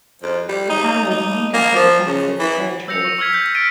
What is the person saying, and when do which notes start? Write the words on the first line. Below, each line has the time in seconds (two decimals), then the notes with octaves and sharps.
The town was named after the Kansas Territory.
0.23 F2
0.48 G3
0.69 D#4
1.10 D#4
1.54 A#3
1.75 F3
2.06 C#3
2.39 E3
2.88 E6 G6 A#6 C#7 F7
3.05 C#6
3.18 C#6 E6 F6 G#6 B6
3.34 G6
3.55 F6 A6 B6 D7 D#7